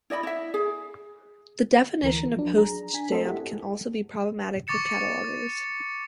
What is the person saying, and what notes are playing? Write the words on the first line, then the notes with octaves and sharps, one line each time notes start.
The definition of "postage stamp" can also be problematic for catalogers.
E4 D5 D#5 B5
E4 E5
G#4
D2 E3 A#4 A#5
F3 F#3 D4
G#4 A#5
D4 G#5 B6
A3 C4 A4 A#4 C5 D#5
E4 G4 F#5
C#6 D6 A6 C#7 E7